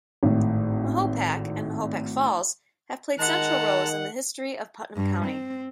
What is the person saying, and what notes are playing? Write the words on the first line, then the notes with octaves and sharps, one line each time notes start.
Mahopac and Mahopac Falls have played central roles in the history of Putnam County.
G#1 A2
D#3 G#3 F#5 A5 A#5
G2
C4